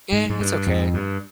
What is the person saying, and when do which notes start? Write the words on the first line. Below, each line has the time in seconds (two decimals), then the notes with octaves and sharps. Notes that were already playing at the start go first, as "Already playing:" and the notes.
Yeah, it's okay.
0.12 G#2
0.30 G#2
0.40 G2
0.66 F2
0.94 G2